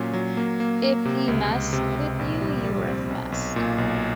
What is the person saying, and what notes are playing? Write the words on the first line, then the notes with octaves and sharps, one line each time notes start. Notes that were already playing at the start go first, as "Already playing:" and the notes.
If he messed with you, you were messed.
Already playing: A#2 F#3 C#4
F#3
A#3
A#3
A#3
C3
C#2
C#2
C3
C3
A#1
G3
G3
C4
B1
B1
A#2
B1